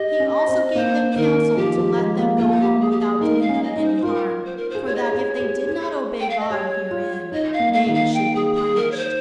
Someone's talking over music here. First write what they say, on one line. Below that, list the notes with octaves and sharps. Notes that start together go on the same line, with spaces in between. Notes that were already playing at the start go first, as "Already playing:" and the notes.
He also gave them counsel to let them go home without doing them any harm, for that if they did not obey God herein, they should be punished.
Already playing: G4 D#5
C#4
C4
A#3 C5
C5
D#3 A#4
F3 G4
F3
G#3
A#3
A#3 F4
G4
G#4
G4
G#4
D#4 A#4
F5
C#4
D#5
D#4
C5
C5
F4 A#4
C5
A#4
C5
G#4
G4 C#5
D#5
C#5
G#4
G4
G#4
G5
F5
D#5
G4 C#5
F4
D#4 D#5
F5
A#3
F5
D#3
F5
G5
G#4
G#4
A#4
C#5
C5